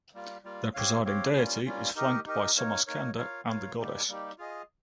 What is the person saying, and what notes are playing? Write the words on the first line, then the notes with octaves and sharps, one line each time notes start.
The presiding deity is flanked by Somaskanda and the Goddess.
G3 A#3 F4
G3 A#3 F4
C4 G4 C#5 F5
C4 G4 C#5 F5
G3 A#3 C#4 F4
G3 A#3 C#4 F4
D#4 G4 A#4 D#5
D#4 G4 A#4 D#5
A#3 D#4 A#4 C#5
A#3 D#4 A#4 C#5
F4 A#4 C#5 F5
F4 A#4 C#5 F5
G3 A#3 D#4 G4
G3 A#3 D#4 G4
F4 G#4 D#5